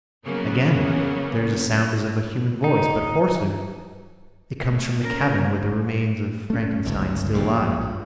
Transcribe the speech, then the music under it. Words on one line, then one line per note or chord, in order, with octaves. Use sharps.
Again there is a sound as of a human voice, but hoarser; it comes from the cabin where the remains of Frankenstein still lie.
C#3 F#3 A#3 B3
D#4
A3
C#4 A#4
G#2 A3
A3 C#4
G1 C#2 G#2
A#1 F#2 A#2
G2